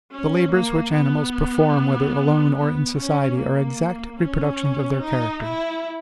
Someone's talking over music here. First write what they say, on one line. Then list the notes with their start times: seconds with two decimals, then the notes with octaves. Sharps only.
The labors which animals perform, whether alone or in society, are exact reproductions of their character.
0.11 C#4
0.51 A#3
0.92 B3
2.56 B3
2.96 C#4
3.37 A#3
4.20 C#4
5.01 D#4
5.42 E4